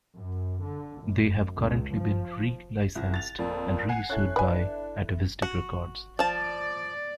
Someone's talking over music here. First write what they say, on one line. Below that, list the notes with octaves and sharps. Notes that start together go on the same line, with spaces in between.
They have currently been relicensed and reissued by Atavistic Records.
F#2
D3
F#2
C#2
F3
C2 F3
A6 F7
F2 A#2
F#5 G#5 C7
C#4 E4 A4 F#6
D4 B4 G#5
F#4
F3 D5 A5